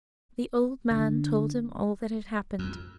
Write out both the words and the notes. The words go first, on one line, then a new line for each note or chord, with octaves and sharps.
The old man told him all that had happened.
D3
F2